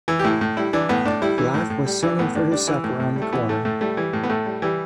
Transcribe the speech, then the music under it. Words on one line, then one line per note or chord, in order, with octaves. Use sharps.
Life was singing for his supper on the corner!
E3
G4
A2 E4
A2
G3 E4
E3 D4
A2 B3
A2 D4
G3 E4
E3
A2
A2
G3
E3 D4
A2 B3
A2 D4
G3 D4
E3 E4
A2
A2
G3
A3
E3 B3
A2 A3
A2 A3
G3 A3
E3 G3
A2
B3
A2 A3
G3
E3 G3